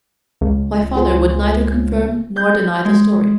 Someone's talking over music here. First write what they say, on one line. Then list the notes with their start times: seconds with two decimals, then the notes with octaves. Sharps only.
My father would neither confirm nor deny the story.
0.41 C#2
0.95 F4 G#4 C5
2.36 G6
2.85 G#3